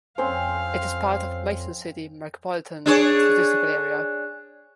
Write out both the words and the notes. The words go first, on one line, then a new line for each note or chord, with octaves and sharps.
It is part of the Mason City Micropolitan Statistical Area.
F2 C4 C#4 C5 F5
D4 G#4 C#5